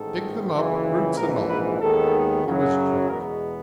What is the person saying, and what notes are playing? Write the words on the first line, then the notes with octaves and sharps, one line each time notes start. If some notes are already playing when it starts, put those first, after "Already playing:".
Dig them up, roots and all.' He was drunk.
Already playing: A1 G#2 D#3 A4
F#1 F2 C#3 E3
A#1 G#2 E3 A#4
B4
D#2 D#3 G#3 B3 A4
F#2 C#3 F#3
E2 B2 G#3 B3 A#4